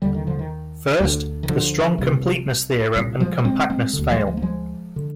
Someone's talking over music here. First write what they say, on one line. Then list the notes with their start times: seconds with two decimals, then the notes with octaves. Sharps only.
First, the strong completeness theorem and compactness fail.
0.02 D#2 D3 D#3 G3
0.14 D#3
0.27 D3 F3
0.39 D#3
1.00 D2 D3
1.43 D#3
1.49 D3 F3
1.98 C2 C3
2.96 C2 A#2
3.20 F3 G#3
3.45 G#3 C4
3.70 G#3 C4
3.93 D3
3.99 D2
4.10 F3 G#3
4.27 F3 G#3
4.37 A#3
4.42 F3 G#3
4.96 D3